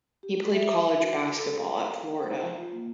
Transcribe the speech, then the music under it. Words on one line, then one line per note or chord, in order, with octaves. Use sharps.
He played college basketball at Florida.
G4
E5
E5
F#4
D6
A4
F5
C5
F4
A#3